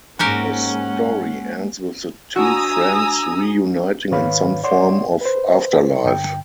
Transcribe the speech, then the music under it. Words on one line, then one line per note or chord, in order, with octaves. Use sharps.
The story ends with the two friends reuniting in some form of afterlife.
G#2 G#3 A#3 C#4 F#4 G4 A#4 F#5
D4 F#4 G#5 A#5 D#6 E6
G#2 D#3 B4 C#5 F5 B5
C#5 D5 F#5 C6
B4 C5
G2 D3 G5